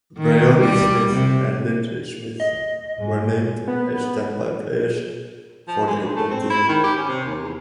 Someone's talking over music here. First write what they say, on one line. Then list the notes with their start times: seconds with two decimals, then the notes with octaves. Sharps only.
Bryony Smith and Linsey Smith were named as standby players for the England team.
0.18 D#3
0.59 G3
1.13 C3
2.40 D#5
2.98 G#2 G#3
3.68 B3
5.68 F3
5.88 G#3
6.01 G2
6.16 A3
6.31 C4
6.50 E4
6.69 D#3
6.84 G4
6.96 C#4
7.09 C3
7.25 D#2
7.41 E2